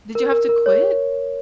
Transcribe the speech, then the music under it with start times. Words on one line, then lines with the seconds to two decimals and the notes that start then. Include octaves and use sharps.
Did you have to quit?
0.15 A#4
0.31 A#4
0.49 A#4
0.66 C#5